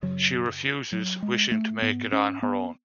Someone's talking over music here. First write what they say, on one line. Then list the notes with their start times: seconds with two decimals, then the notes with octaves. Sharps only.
She refuses, wishing to make it on her own.
0.03 F#2 C#3 F#3
0.92 F#3
1.22 G#3
1.52 A3
1.82 G#2 B3
2.12 C#4
2.42 B3